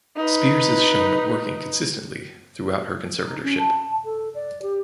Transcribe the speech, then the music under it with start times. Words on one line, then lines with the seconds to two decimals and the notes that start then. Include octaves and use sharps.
Spears is shown working consistently throughout her conservatorship.
0.17 D#4 B4
3.22 D#4
3.43 C#4
3.58 A5
4.04 A4
4.34 D5
4.62 G4